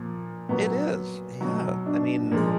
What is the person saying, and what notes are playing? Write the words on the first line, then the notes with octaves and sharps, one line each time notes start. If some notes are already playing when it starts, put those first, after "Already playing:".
It is. Yeah. I mean
Already playing: A#2 F3
A#2 F#3 B3
B2 F#3
D4
A#2 F3 G#3